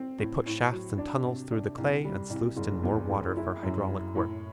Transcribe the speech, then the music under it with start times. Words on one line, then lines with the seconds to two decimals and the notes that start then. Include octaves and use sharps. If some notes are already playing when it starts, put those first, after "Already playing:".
They put shafts and tunnels through the clay and sluiced in more water for hydraulic work.
Already playing: C4
0.19 A2
0.46 A2
0.72 F#3
0.98 D4
1.25 C3
1.51 D4
1.78 C2
2.04 G3
2.30 C2
2.57 F#1
2.83 E2
3.10 F#1
3.37 E4
3.63 F#2
3.89 E4
4.15 A2